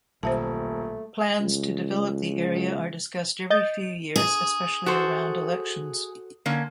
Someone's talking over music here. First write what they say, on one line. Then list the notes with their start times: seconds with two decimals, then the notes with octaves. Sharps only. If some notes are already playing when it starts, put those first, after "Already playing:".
Plans to develop the area are discussed every few years, especially around elections.
0.23 D#1 B1 A3 C5 E5 A5
1.40 C#2
3.50 D#5 G6 A6
4.16 G#4
4.86 F#4 A4 C5
6.46 D3 A#3 C#4